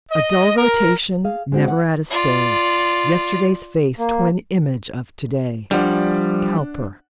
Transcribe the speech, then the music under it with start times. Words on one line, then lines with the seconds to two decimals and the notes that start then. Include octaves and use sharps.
'A dull rotation, never at a stay, Yesterday's face twin image of to-day.' COWPER.
0.11 D#5
0.57 A#4
1.24 G#4 F5
1.52 G#3 C4 F#4
1.68 F#5
2.10 F4 D5
3.99 A#3
5.71 F3 G3 D4 F#5